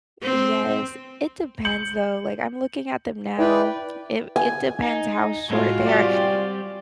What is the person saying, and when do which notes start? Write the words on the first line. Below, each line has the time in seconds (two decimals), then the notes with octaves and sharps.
Yes. It depends, though, like, I'm looking at them now. It it depends how short they are
0.22 C4
1.65 G6 C#7 F#7
3.39 E4 B4 D5 G5
4.36 G#5
4.82 D#4
5.50 A2 G#3 F4 F#4
5.86 G3 C4 G4 D5